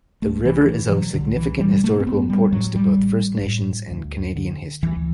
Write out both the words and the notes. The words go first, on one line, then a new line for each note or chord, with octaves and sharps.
The river is of significant historical importance to both First Nations and Canadian history.
C2 A3
E3
B2 E3
F#3
C2 D3
E3
B2 G3
A3
C4
A1 B3
G3
A2 F#3
G3
A1
A2
D2
D3
D2 E3